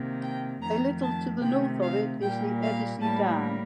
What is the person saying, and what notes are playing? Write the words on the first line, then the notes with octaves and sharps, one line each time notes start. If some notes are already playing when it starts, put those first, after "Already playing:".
A little to the north of it is the Edersee dam.
Already playing: C3 D#3 A#3
G5
F2 D#3 A3 A#5
A5
C3 D#3 A3 G5
F5
A#2 G3 A#3 G5
F5
A2 G3 A#3 A5